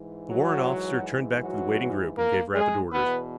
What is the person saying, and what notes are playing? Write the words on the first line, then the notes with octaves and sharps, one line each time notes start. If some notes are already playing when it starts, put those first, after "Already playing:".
The warrant officer turned back to the waiting group and gave rapid orders.
Already playing: G#2 E3
F#3 F#4
F#3 F#4
A#3 A#4
G#3 G#4
E2 B2 B3 B4